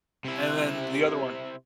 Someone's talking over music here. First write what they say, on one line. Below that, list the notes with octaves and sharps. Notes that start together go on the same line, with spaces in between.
and then the other one
C3 E4